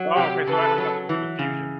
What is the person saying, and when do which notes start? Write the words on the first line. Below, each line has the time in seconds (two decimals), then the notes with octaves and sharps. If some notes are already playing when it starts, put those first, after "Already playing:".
Oh, okay, so that has nothing to do with fusion.
Already playing: F#3
0.16 C3 G4
0.47 C#3 A4 B4
0.78 F#3
1.09 E3
1.39 C#3